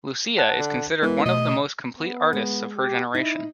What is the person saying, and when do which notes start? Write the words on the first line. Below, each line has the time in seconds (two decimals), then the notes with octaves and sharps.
Lucia is considered one of the most complete artists of her generation.
0.38 F#5 A5 F#6
0.59 D3
1.02 E3 G#3 B3 A#4
1.26 B2 A3 D#5
1.98 B3
2.33 G#3
2.78 G4
3.15 D#4 E4